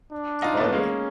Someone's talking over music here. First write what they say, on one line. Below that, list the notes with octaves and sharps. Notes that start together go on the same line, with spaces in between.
The hard way
D4
D#4 F4
A3 B3
G#3 A#3 C#4